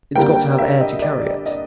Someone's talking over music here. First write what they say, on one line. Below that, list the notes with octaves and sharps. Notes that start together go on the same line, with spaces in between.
It's got to have air to carry it!
D3 G3 A#3 G5
E5
D#5
D5
D#5